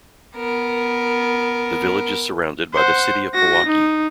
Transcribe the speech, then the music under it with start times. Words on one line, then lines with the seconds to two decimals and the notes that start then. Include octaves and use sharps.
The village is surrounded by the City of Pewaukee.
0.36 B3 A#4
2.74 C5 F#5
3.35 F#4 A#6
3.67 D#4